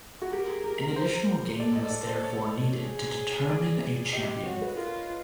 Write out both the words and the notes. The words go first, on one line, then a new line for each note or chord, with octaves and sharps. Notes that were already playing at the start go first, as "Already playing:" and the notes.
An additional game was therefore needed to determine a champion.
F#4
G4 A#4
G#4
G4
C5
A4 D5
D#5
D5
C5
C#5
G#4
D5
G4 D#5
D#5
F#4 C#5
B4
F4 A#4